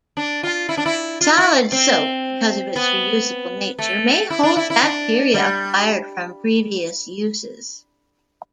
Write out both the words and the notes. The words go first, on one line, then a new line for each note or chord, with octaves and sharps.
Solid soap, because of its reusable nature, may hold bacteria acquired from previous uses.
D4
F4
E4
D4
E4
F4
E4
C4
B3
A3
E4
D4
E4
E4
D4
G3